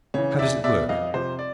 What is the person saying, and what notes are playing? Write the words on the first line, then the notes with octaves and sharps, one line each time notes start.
"How does it work?"
C#3 E3 C#5
E2 D5 E5
B2 D5 E5
F2 D#5 F5
C3 F3 C5
D5